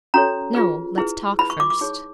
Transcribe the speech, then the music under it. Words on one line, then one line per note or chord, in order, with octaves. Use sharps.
'No, let's talk first.'
C#4 F#4 A4 C#5 A#5
F4 G#4 B4
E4 G#4 B4
E4 G#4 B4 B5
C#6
D6
D6
D#4 G#4 C#5